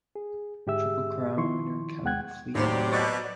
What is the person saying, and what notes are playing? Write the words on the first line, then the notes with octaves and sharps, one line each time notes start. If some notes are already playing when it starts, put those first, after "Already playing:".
Triple Crown winner Count Fleet.
G#4
G#2 D3 G4 G#4 E5 E6
D#3 F3 E4 C6 C#6
D#2 G#3 F#5 G5 F#6 G#6
D#2 A2 C3 F#3 G4 C5 D5
B2 D#5 C#6 A6